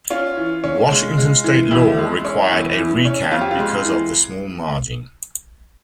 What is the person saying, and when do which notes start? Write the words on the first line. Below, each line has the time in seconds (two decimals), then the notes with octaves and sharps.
Washington State law required a recount because of the small margin.
0.10 C#4 F4
0.37 E3
0.64 C#4
0.91 G#3
1.18 G#3
1.44 E3
1.71 E2 E4
1.98 G#3
2.25 C#4
2.51 E2
2.78 E3
3.05 C#4
3.31 F2 F4
3.41 G4
3.51 F4
3.59 G#3
3.85 E3